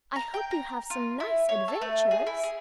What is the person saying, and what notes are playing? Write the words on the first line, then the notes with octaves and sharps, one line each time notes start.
"I hope you have some nice adventures!"
A#5
G5
A#5
F4
E4
C#5
A4
A3
G#4
E4
G#4